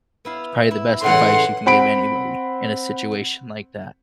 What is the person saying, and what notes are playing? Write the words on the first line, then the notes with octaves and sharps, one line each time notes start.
probably the best advice you can give anybody in a situation like that.
B3 E4 F5
E4
A2 C#3 E3 F#5 C6
C4 F#5 B5 D7